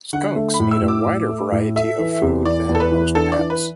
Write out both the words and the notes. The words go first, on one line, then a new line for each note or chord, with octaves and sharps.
Skunks need a wider variety of food than most pets.
D3 F#5
A3
B5
A2
E6
A2
D6
A2
A3
A2
A4 E5
E3
E2
E3 D5
E2
A4
B4
E3
D4 A4
D5
E3
B4